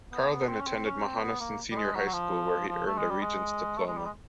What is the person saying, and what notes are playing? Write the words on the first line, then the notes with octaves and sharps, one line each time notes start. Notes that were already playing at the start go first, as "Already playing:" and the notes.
Carl then attended Mohonasen Senior High School where he earned a Regents diploma.
B3
B3
C4
C#4
C4
C#4
C4
B3
A#3
G3
G#3
F#3
F#3
F3
F3
A3
G#3
G3
G#3
A3
G#3
G3
G#3